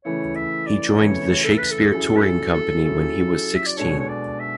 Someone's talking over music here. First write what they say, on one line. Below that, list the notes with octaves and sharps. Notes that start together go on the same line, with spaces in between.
He joined the Shakespeare Touring Company when he was sixteen.
C#3 E3 A3 E4 C#5
E5
D5
C#3 E3 A3 E4 C#5
A4
B4
A4
F#3 C#4 E4 G#4 A4
B4
A4
A4
F#3 C#4 E4 G#4 A4
E5
D5
B2 G#3 D4 A4 C#5
C#5
D5
E5